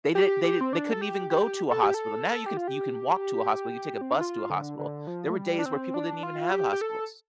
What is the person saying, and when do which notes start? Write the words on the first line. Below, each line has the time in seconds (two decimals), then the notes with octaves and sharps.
they did they di they couldn't even go to a hospital, now you can you can walk to a hospital, you take a bus to a hospital. There were days where people didn't even have hospitals.
0.15 G4
0.44 G4
0.61 C4
0.73 D4
0.93 A4
1.01 G4
1.31 G4
1.71 A4
1.83 G4
1.94 A4
2.46 G4
2.57 F4
2.67 G4
4.01 C4
4.11 D4
4.21 F4
4.50 D3
4.79 D3
5.07 F3
5.30 A3
5.36 G3
5.59 D4
5.66 C4
5.94 D4
6.23 F4
6.52 G4
6.73 G4
6.81 A4